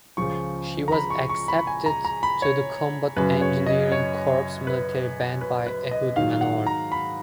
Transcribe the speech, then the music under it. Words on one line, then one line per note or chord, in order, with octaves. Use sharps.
She was accepted to the Combat Engineering Corps military band by Ehud Manor.
C#2 C#3 F3 C#6
A#5
B5
C#6
C#6
B5
G#5
A#5
A#5
B5
C#5
F#2 C#3 F#3 B4
C#5
D#5
C#5
B4
B4
B4
D#5
G#2 D#3 F#3 F5
F#5
A#5
B5